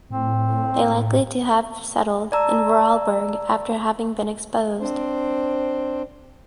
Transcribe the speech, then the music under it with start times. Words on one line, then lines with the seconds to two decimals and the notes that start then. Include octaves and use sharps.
They likely to have settled in Vorarlberg after having been exposed.
0.10 A2 C4
2.32 D5 A5 A#5 E6
4.80 C4 D4 C5